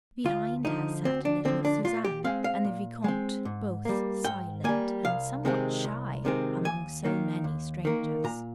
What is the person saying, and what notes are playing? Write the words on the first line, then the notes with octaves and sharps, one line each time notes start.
Behind her sat little Suzanne and the Vicomte, both silent and somewhat shy among so many strangers.
D2 F4
D3 F3 D#4
D2 C4
D4
D3 F3 C4
D4
A#2 F4
G4
G#3 C4 F5
F5
A#2
G#3 C4
G#2
G3 A#3
G#2 G5
G3 A#3 G#5
C2 F5
C3 D#3 G#3 C4
C2
C3 D#3 G#3 C4
D#2 G#5
D#3 A#3
D#2
D#3 A#3
A#2 A#5